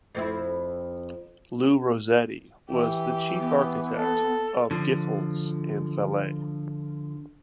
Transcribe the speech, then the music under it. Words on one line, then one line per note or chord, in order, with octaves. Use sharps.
Lou Rossetti was the chief Architect of Giffels and Vallet.
F2 C4 E4
E3 G4
B3
A4
D3 F3